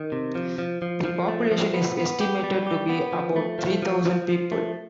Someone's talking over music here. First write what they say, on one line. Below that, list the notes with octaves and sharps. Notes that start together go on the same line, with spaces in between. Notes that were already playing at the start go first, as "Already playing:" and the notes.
The population is estimated to be about three thousand people.
Already playing: D#3
C3
F3
F3
F3
F3
A3
F3
B3
B3
G4
G3
G4
B3
F3
A3
F3
F3
F3
F3
A3